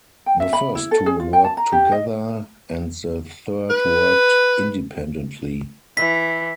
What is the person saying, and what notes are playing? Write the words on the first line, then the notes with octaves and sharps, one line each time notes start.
The first two worked together, and the third worked independently.
G5
E5
B5
E4
A4
G#4
F4
G5
A5
A#5
G4
D#5
B4
E3 B6